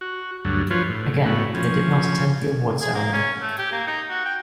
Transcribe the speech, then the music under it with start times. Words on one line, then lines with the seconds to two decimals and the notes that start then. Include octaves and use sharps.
Again, they did not attend the award ceremony.
0.01 F#4
0.45 D2 G2 F#3
0.71 F3 F4 B4 C#5
0.89 A2
1.26 A2 B3 F#4
1.55 F3 C#4
2.81 G#4
2.94 A#3
3.13 C#4
3.41 A3
3.58 G4
3.72 A#3
3.87 D#4
4.10 F#4
4.25 G5